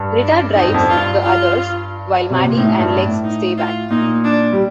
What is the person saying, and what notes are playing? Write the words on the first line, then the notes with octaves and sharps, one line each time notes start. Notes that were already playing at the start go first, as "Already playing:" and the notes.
Rita drives the others, while Maddie and Legs stay back.
Already playing: G2
D4
F2 D#4
G2
F2
G2 F4
F4
C3
A#2
A2 D#4
G2
D4
A2
D#4
F4
A#2 D#4
D4
G3